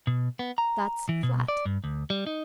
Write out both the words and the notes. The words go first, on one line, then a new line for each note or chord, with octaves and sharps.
That's flat.
B2
B3
A#5
E3
B2
D5
G2
D2
G3
D#4